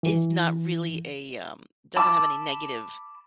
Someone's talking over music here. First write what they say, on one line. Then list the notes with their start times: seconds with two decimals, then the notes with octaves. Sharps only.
is not really a, um doesn't have any negative
0.03 E3
1.97 A5 B5 D6 E6